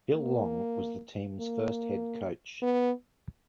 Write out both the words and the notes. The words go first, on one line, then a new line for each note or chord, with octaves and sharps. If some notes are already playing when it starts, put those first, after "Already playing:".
Bill Long was the team's first head coach.
A#3
A#3
B3